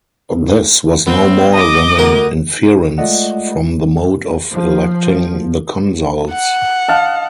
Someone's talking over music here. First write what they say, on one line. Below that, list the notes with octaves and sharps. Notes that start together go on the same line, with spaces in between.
This was no more than an inference from the mode of electing the consuls.
B3 C4
D#5 D6
D2 A#4 F#5
G#3 A3 F4 D5 D#5 F#5
F3
F#5
D#5 F5 A5